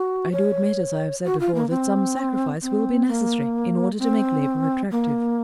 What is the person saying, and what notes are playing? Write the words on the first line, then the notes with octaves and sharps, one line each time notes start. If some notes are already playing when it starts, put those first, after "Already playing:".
I do admit, as I have said before, that some sacrifice will be necessary in order to make labour attractive.
Already playing: F#4
C#5
F#4
F4
A#3
C4
C4
A#3
C4
A#3